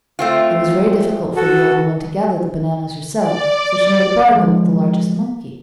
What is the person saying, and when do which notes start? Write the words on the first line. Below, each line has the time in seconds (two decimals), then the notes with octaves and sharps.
It was very difficult for the old woman to gather the bananas herself, so she made a bargain with the largest monkey.
0.19 A3 C4 F4
1.36 F#4 A4
3.19 D5
4.31 F3 G#3